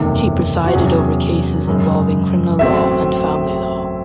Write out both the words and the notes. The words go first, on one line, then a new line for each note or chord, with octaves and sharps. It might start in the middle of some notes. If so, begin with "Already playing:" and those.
She presided over cases involving criminal law and family law.
Already playing: F#1 E2 C3 D#3 A3
F#4
E2 C3 F#3 C#4 G#4
F#2 C#3 G#3
A1 A2 F#3 A3 C4 E5